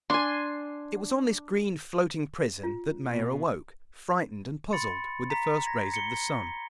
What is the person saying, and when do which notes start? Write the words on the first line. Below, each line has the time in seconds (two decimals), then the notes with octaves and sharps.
It was on this green floating prison that Maia awoke, frightened and puzzled, with the first rays of the sun.
0.10 D4 G#5 C6
2.63 F4
3.10 B2
4.73 B5 C6 A6 C#7
5.30 A#5 B6
5.66 G#6 A#6
5.94 C#7 G7